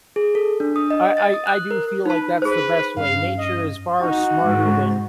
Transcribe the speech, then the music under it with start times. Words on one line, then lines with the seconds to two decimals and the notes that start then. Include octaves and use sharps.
I I I do feel like that's the best way. Nature is far smarter than,
0.16 G#4
0.35 A4
0.60 D4
0.76 D#6
0.90 D#5
1.17 A6
1.34 D#6
1.47 F#6
1.71 A#4
2.06 D#4 B4 A5
2.42 G#4 B4 C5
2.97 G2 C#4 F5
3.38 D#5
4.02 D#4 F#4
4.42 G#2